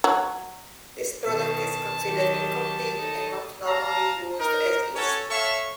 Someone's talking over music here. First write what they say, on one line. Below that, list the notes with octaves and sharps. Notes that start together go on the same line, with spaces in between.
This product is considered incomplete and not normally used as is.
F#3
B2 D#3 A5
D#3 F#3 G4
D#4 A4
F5 A5 A#5
D#4 A#4
C#4 F#4 A4 C#5
A4 C#5 E5 F5 C#6